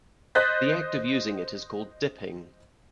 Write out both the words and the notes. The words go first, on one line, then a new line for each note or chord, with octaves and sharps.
The act of using it is called "dipping".
C5 D#5 F#6 G6 A6 B6